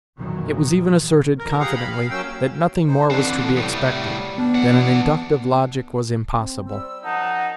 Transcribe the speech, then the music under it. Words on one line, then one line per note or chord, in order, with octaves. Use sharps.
It was even asserted confidently, that nothing more was to be expected,--that an inductive logic was impossible.
B1 F2 A#2 D#3 E3 F#3
F2 A#4
G4 G#4 F5 F#5 A#5
B5
F5
F#3 A#3 C#4 G5 E6
D#4 C5
D3 E3 C4 D4 B4
C2 A2 G3
B3 D4
E3 F#5
C4
G3 E6
F#2 F3 D#4 F#5 A5